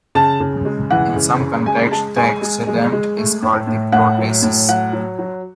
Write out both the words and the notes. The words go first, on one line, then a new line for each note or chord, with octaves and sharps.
In some contexts the antecedent is called the protasis.
C#3 A5
C#3
G#3
E3 F#5
C#3
C#3
G#3 G#5
G#3 A5
G#3 G#5
G#3
G#3
G#3
A3
A2
A2
A2 F#5
F#3
A2
F#3 F#5
F#3
F#3